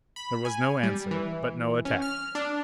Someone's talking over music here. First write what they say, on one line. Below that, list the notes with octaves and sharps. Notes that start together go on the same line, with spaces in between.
There was no answer, but no attack.
B5
G#5
G3
E3
C#4
F6
D4